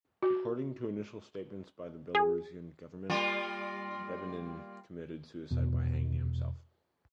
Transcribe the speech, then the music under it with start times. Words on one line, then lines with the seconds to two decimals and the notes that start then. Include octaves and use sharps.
According to initial statements by the Belarusian government, Bebenin committed suicide by hanging himself.
0.23 F#4
2.15 G#4
3.10 G3 A#3 F4
5.51 E2 B2